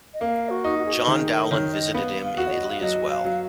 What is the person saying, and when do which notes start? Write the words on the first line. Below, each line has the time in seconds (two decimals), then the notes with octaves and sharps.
John Dowland visited him in Italy as well.
0.14 D#5
0.21 A#3 F5
0.49 F#4
0.64 D#4
0.79 F#4
0.86 G#4
0.93 F#4
1.07 D#3 G#4
1.29 A#4
1.51 D#3 C#5
1.73 D#5
1.94 B3 F5
2.23 F5
2.38 F#4
2.47 C#5
2.52 D#5
2.70 F5
2.81 F#3 D#5
3.10 F5
3.25 F#3